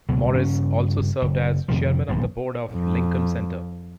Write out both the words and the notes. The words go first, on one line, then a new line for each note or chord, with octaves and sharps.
Morris also served as chairman of the board of Lincoln Center.
C#2 B2 F#3
G2 C#3 C#4
F#1
F2 C3 D#3 F3
D#1 B1 G#2
F2